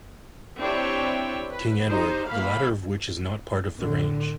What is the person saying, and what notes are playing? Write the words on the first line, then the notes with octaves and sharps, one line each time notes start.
King Edward, the latter of which is not part of the range.
C4 D4 E4 G4 C#5 G5
B4
D#4 G4 C5 D#5
E3 A#3 F5 B5
A2 D3